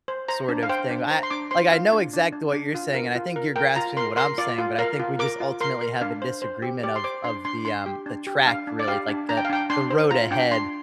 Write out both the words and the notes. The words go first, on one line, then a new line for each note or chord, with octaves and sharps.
sort of thing. I like, I know exactly what you're saying, and I think you're grasping what I'm saying, but I think we just ultimately have a disagreement of of the, um, the track, really, like, the the road ahead,
C5
C5 A#5
D4
F5
C5 G5
D4
C5 A#5
C6
D4 D6
C5 C6
F4 F5
D4
D4
D4
D4
F4
A#4
F4
A#4
A#4 G5
F4 A#5
A#4 C6
A#4 C6
F4 D5
F4
A#4 F5
F4
A#4 D6
F4
A#4 C6
A#4
D4 F5
C5
C5
G4
G4 D5
C6
C5 D6
D4 C6
D4 C6
D4 C6
G4
D4
G4
D4 F5
D4
D5
G4 F5
D4
D4 A#5
G5
F5
D4 G5
D4 C6
C5
F4 A#5
D4 G5
D4 C6